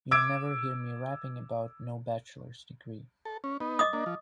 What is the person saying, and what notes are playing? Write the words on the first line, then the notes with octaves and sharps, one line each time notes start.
You'll never hear me rapping about no bachelor's degree.
D6 E6 G#6 D7
A4
C#4
B3 D#4
D#5 D6 D#6
A#3 D4
F3